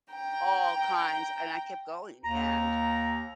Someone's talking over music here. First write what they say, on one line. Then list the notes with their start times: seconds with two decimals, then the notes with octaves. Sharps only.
all kinds and I kept going and
0.12 G5 A#5
2.25 D#2 A#5